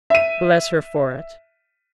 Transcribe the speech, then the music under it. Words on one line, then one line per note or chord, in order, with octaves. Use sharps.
Bless her for it!
E5 D#7